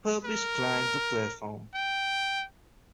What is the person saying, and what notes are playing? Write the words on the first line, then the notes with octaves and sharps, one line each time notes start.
Purvis climbed the platform.
A#4
G5